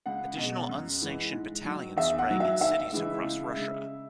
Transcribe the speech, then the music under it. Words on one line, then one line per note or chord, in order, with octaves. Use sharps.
Additional unsanctioned battalions sprang in cities across Russia.
C#2 F#5
B2
G#3
F#2
E3 G#3
G#2
D#3 F#3
E2 E5
F#5
D#3 F#3
E5
D#2 E5
C#3 E3 G#3
C#2
C#3 G#3